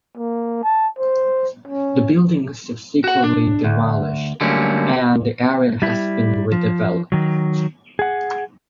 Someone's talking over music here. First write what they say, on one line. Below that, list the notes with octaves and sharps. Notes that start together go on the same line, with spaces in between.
The buildings subsequently demolished and the area has been redeveloped.
A#3
A5
C5
C#4
F#4 F#5
D4
D2
D3 F#3 G3 A3 A#3 C#4
G3 E4
F3
D#3 F#3
G#4 F#5